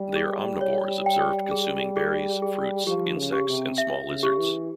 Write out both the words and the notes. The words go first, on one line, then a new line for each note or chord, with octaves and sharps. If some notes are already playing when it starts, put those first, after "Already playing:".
They are omnivores observed consuming berries, fruits, insects and small lizards.
Already playing: G3
G#4
C#5
G5
G#4
G#4
G#4
F3 G4
C#3
G4
C3
E5
C#3
G4
E3